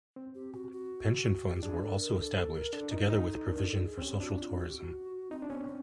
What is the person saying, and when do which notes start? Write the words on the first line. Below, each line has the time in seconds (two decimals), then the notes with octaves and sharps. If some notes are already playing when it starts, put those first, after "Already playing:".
Pension funds were also established, together with provision for social tourism.
0.16 C4
0.35 G4
0.53 F#4
0.72 F#4
1.55 G4
1.63 D4 G#4
1.82 A4
2.00 A#4
2.18 A4
2.37 A4
2.55 A#4
2.73 D4 A4
2.91 D#4 A#4
3.10 D#4 A4
3.28 A4
3.46 D4 A#4
3.65 A4
3.84 G#4
3.98 C4
4.02 C#4 G4
4.20 D4 F#4
4.39 F4
4.57 F#4
4.68 G4
4.78 F#4
5.31 C4 D#4
5.42 D4
5.49 B3 C#4
5.55 C4
5.67 C4